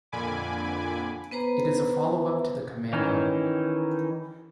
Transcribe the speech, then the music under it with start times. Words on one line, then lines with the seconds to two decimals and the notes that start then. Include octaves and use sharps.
It is a followup to the "Commando".
0.12 F2 A#2 D3 G#5 B5 D6
1.31 B3 B4 C5 A#5
2.93 D#3 E3 C#4 D#4